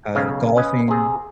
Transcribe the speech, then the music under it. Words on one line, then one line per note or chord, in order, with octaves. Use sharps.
uh, golfing,
B1 C#3 F5
C#4 B4 D#5
C3 G#4